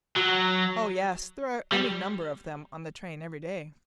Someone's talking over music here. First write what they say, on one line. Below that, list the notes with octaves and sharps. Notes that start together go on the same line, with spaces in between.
Oh yes, there are any number of them on the train every day.
F#3
G3